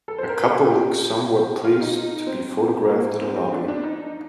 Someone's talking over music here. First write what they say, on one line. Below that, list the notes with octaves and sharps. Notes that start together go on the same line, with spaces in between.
A couple looks somewhat pleased to be photographed in a lobby.
A4
C5
A#4
G4
F4
D#4
C4
A#3
C4
C4
D4
D4
D#4